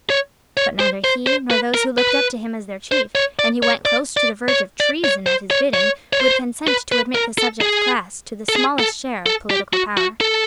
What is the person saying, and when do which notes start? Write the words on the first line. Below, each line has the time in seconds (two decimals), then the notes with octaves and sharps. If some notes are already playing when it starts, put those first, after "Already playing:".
But neither he, nor those who looked up to him as their chief, and who went close to the verge of treason at his bidding, would consent to admit the subject class to the smallest share of political power.
0.10 C#5
0.57 C#5
0.80 C5
1.04 C5
1.27 C5
1.51 B4
1.74 A#4
1.98 B4
2.92 C5
3.15 C#5
3.39 D5
3.63 C#5
3.85 D5
4.17 D5
4.48 C#5
4.80 D5
5.04 C#5
5.26 C5
5.51 C#5
5.74 C#5
6.13 C#5
6.21 C5
6.68 B4
6.92 B4
7.15 A#4
7.38 A4
7.61 G#4
8.49 A4
8.56 G#4
8.80 A4
9.26 A4
9.51 G4
9.73 F#4
9.97 F#4
10.21 A4